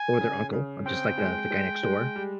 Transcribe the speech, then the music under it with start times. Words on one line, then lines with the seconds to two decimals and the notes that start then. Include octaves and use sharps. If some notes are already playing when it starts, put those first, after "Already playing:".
or their uncle. I'm just, like, the the guy next door,
Already playing: G#5
0.20 C#3
0.53 C#3
0.86 C4 G5
1.18 G#3
1.51 G#3
1.83 G#3
2.16 G3